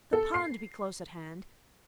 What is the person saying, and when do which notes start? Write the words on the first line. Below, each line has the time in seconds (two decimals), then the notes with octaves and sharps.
The pond be close at hand.
0.13 A4
0.34 C7